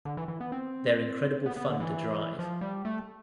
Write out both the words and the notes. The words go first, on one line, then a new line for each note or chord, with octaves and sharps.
They're incredible fun to drive.
D3
E3
E3
B3
C4
B3
B3
D3
E3
F3
G3
A3